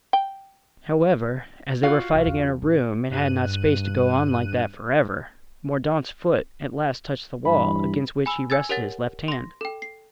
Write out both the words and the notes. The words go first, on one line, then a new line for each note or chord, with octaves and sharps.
However, as they were fighting in a room and had not space to go on like that forever, Mordaunt's foot at last touched the wall, against which he rested his left hand.
G5
F4 F#4 F5
B1 G2
E2
A1
G2 F#6 D#7
G2 E3 B5
G#5 B5 E6
G#5 E6 G#6 A6
G4 A#4 C#5 F#5 A6
C6 A#6
A4 G5
C7